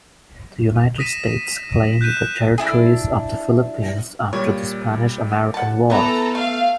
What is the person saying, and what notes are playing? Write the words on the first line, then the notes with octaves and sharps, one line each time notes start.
The United States claimed the territories of the Philippines after the Spanish-American War.
D#6 A#6 B6 D#7 E7
F#6 G6 B6 D#7 E7
D4 E4 G#4
A#2 G3 C#5
F#5 A5
E3 A3 B3 A4 A#5
A3 F5